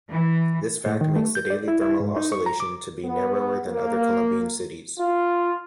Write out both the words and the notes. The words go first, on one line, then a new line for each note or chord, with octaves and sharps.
This fact makes the daily thermal oscillation to be narrower than other Colombian cities.
E3
A2
D#3
A3
G6
D5
E4
E4
G#2
D#4
C#6
A#5
D6
B3
A#3
F4